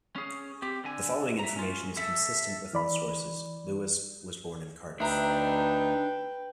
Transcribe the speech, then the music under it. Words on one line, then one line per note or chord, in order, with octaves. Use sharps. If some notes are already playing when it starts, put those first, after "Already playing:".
The following information is consistent with all sources: Lewis was born in Cardiff.
C#4 G#4
C4 G4
D3 G#5
E5 A#5
C#4 F4
A4 E5
E3 D5 B5
D2 D4 D#4 B4 E5 G5 A#5